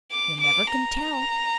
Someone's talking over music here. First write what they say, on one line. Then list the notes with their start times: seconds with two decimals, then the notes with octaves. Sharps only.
You never can tell.
0.11 D6
0.41 D6
0.70 A#5